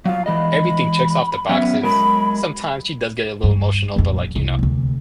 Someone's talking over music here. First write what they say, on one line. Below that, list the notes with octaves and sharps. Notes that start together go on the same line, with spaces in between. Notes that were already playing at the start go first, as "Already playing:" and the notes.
everything checks off the boxes. Sometimes she does get a little emotional, but like, you know,
F#3 F4 F5
E3 G#3 D#5 B5
F#3 B3 C#4 E5
F#3 G#3 A#4 B5
G2
A#1 F2
C2
D2 C3